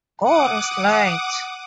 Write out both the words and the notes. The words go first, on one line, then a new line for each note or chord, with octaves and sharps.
God is Light.
F#5 D6 D#6